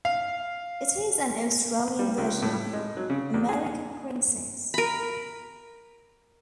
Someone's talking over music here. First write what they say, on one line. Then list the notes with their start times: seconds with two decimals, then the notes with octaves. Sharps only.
It is an Australian version of "American Princess".
0.05 F5
1.99 G3
2.18 C#2
2.42 A2
2.73 G#3
2.97 F#3
3.10 C#3
3.34 E2
3.49 G#4
4.74 A#4 B5